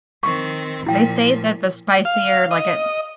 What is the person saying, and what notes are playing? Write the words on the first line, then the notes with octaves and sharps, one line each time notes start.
They say that the spicier, like, it
D#3 C4 C#6
A#2 F3 E4 G5
F5
D#5